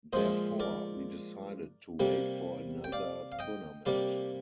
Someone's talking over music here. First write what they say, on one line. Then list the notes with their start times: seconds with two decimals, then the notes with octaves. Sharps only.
Therefore, we decided to wait for another tournament.
0.13 A#2 F3 G#3 C5 D#5
0.60 A#4 D5
2.00 C3 G3 A#3
2.84 G5
2.92 D5 F5
3.32 F5
3.39 D#5 G5
3.86 C3 G3 A#3 D5 F5